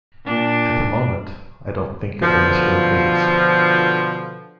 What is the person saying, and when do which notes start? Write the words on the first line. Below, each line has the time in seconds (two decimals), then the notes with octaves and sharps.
At the moment, I don't think of them as human beings.
0.25 A#2 D4
2.23 B2 D3 F3